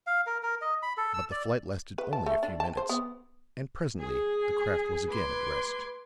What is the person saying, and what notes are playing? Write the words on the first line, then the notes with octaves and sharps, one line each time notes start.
But the flight lasted only a few minutes, and presently the craft was again at rest.
F5
A#4
A#4
D#5
B5
A4
E6
D5
B4
A5
A3
D4
A5
C5
B3
G#4
B4 C6 D6 G#6